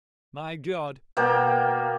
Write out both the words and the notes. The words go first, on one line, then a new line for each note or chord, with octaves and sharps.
My God!
B2 A#3 A#4 G5